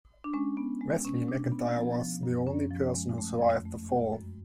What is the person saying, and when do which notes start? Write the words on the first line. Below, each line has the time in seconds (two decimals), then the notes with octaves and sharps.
Wesley MacIntire was the only person who survived the fall.
0.24 D4
0.33 G#3 C#4
0.57 B3
0.81 G#3
1.05 B2 C#4
1.28 B2 D4
1.52 B2 B3
1.76 F3 B3
2.00 F3
2.23 F#2
2.47 F#2 C#4
2.71 F3
2.94 G#3
3.18 A3
3.41 F2
3.65 A3
3.89 G#3
4.13 F#2